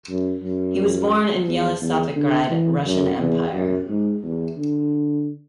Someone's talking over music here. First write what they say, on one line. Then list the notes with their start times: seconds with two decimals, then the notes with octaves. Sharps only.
He was born in Yelisavetgrad, Russian Empire.
0.10 F#2
0.44 F#2
1.47 E2
1.81 E2
2.16 D3
2.50 E3
2.85 F#2
3.20 E2
3.54 F#2
3.89 G#2
4.23 E2
4.58 D3